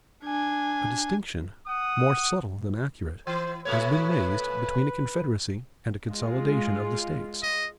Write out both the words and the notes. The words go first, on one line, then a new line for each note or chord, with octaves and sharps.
A distinction, more subtle than accurate, has been raised between a CONFEDERACY and a CONSOLIDATION of the States.
D4 G#5
F#5 D#6
E3 C5
A#2 A3 B4 C#5
G#3 F4
D#5